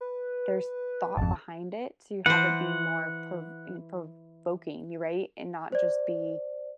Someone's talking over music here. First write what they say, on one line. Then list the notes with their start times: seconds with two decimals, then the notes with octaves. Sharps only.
there's thought behind it to have it be more prov eh, prov oking, you're right? And not just be
0.01 B4
1.17 G#1 F2 A5
2.26 E3 C5 F#5
5.72 C5 D5